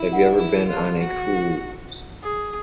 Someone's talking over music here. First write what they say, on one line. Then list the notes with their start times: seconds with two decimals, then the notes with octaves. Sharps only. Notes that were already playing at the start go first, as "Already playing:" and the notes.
Have you ever been on a cruise?
Already playing: E4
0.36 E4
0.68 F4
0.99 F#4
2.23 G#4